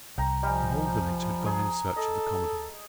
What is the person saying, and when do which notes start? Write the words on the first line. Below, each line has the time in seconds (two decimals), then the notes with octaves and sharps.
The whole village had gone in search of the commodore.
0.18 C2 G5 A#5
0.43 F3 G3 D#5 G#5
1.46 G#4 A#5
1.96 A4 D#5